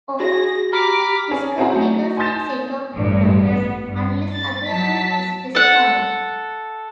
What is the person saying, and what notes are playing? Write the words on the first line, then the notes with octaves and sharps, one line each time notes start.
All fiscal figures in Singapore dollars unless otherwise specified.
F#4 G#4 A#6
G4 A#5 B5 D6 F6
C#4 G#4
C4 C#4 F#4 G#4 A#5
F#3 A3
G#5 C6 D#6 G6 A6 E7
A1 G2
B3
G2
A6
F#3 A5 B6
A4 F#5